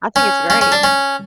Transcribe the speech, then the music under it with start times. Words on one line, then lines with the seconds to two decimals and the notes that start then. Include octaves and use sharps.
I think it's great.
0.16 C#4
0.50 C#4
0.61 C#4
0.72 D4
0.84 C#4